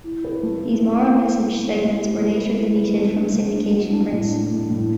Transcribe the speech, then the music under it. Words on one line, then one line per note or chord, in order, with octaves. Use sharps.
These moral-message segments were later deleted from syndication prints.
E4
B4
A3
E4
A3
B4
E4
E4
A3
E4
G4
A3
B4
E4
B4
A3
D4
A3
D4
F#3
D4
A2
D4
A2
A2